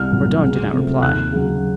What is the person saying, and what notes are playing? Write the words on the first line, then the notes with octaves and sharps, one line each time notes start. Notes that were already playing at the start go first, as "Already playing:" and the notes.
Mordaunt did not reply.
Already playing: C2 F6
A#2 F#3
C#2
C3 F3 A3
D#2 F#6
C#3 F#3